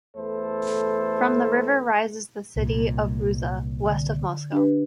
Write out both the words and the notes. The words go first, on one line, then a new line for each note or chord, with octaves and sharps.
From the river rises the city of Rouza, West of Moscow.
E2 A3 A4 B4 C5
C2 A#2
D3
D4 G4 B4